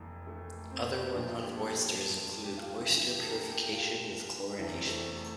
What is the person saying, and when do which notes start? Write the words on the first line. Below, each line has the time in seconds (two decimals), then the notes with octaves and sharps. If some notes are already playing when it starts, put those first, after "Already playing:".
Other work on oysters included oyster purification with chlorination.
Already playing: F1 F2 E3 A#3
0.27 A3
0.71 C4
1.13 A#1 A#2 F3 D4
1.28 F4
1.42 G4
1.57 A4
2.43 G4
2.57 F4
2.72 F4
2.81 E4
2.86 D2 D3 F3 F4
2.97 E4
3.08 G4
3.19 A4
3.29 A#4
3.40 A4
3.51 G4
3.61 G4
3.73 F4
4.58 F1 E2 E3 E4
4.73 C4
4.88 A3